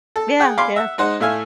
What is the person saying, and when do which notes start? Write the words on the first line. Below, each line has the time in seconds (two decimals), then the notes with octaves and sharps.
Yeah, yeah.
0.16 A4
0.39 G#4 F#5 G5
0.58 F5 G#5 B5 C6 D6
0.76 E5 F#5
0.98 G#3 D#4 C5 F#5
1.20 A2 A3 E5 F5 G#5